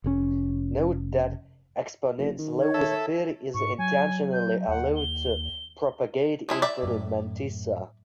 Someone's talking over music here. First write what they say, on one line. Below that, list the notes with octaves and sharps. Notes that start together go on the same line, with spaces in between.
Note that the exponent's lowest bit is intentionally allowed to propagate into the mantissa.
F1 C3 C#4
F#1
D#3
C#5
A4 E5
G#2 C#6
F#3 G#5
G6
D#2 F#5
G7
F3 G#3 E4
D5 E5
F#2 A2